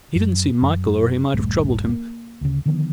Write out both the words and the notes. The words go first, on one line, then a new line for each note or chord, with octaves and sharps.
He didn't see Michael, or he might have troubled him.
F#2
F#2
D#1 A#1 G2 A3
A#3
D2 C#3
D3 D#3 F3 B3